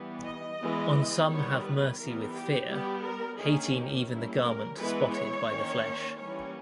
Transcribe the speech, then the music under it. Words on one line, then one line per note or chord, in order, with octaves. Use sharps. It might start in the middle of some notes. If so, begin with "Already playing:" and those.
On some have mercy with fear; hating even the garment spotted by the flesh.
Already playing: E3 G3 B3
D#5
E3 G#3 B3
D#3 G3 B3 C#5
B4
E3 G3 B3 A#4
G4
G3 B3 G4
A#4
D#3 A#3 C#4 G#4
G4
G3 A#3 C#4 E4
A#4
E3 G#3 B3 B4
C#5
D#3 A#3 C#4
E3 G3 A#3 C#4 C#5